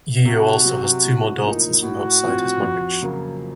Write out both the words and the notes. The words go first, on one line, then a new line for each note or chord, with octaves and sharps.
Yeo also has two more daughters from outside his marriage.
C3 F#4
F#3 C4
A2
F3 A#3 D#4
A2 F#4
F3 C4
F2
C#3 F#3 A#3